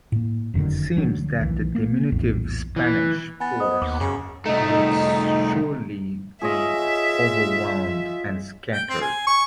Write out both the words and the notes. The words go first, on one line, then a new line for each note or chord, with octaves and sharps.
It seemed that the diminutive Spanish force would surely be overwhelmed and scattered.
A2 A#3
F1 F#2 D3 D#3
D2 F3 F#3 D4
B1 D#3 E3
A#3
A#1 E2 A2
E3
B3 G#5 A6
C5 D#5 D#6
D#2 D6
F#2 C#3
C2 A3 D#4
F4 G#4 C#5 D#5 E5
G5
C4
G#5
C#6